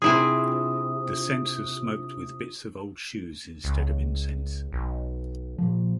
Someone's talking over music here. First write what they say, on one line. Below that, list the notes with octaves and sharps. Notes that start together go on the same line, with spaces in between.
The censers smoked with bits of old shoes instead of incense.
C3 D4 E4 F4 G#4 D#6
C#2
B1
A#2 F3